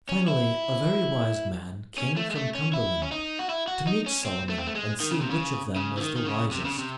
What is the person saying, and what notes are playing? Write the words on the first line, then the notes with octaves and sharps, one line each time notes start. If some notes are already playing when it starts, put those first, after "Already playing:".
Finally a very wise man came from Cumberland, to meet Solomon and see which of them was the wisest.
C#4
E4
C#4
A3
G#3
A3
C#4
E4
C#4
D#4
F#4
E4
F#4
D#4
C#4
C4
A3
C4
A3
G#3
D#3
C#3
C3
C#3
C#3
E3
D#3
D#3
C#3
C3
C#3
C3